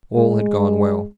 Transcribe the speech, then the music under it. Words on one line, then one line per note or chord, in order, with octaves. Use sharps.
All had gone well.
G#3